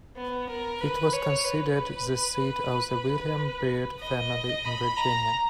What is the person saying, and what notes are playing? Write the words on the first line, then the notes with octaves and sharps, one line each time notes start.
It was considered the seat of the William Byrd family in Virginia.
B3
A#4
B4
C#5
B4
D#5
B5
A#5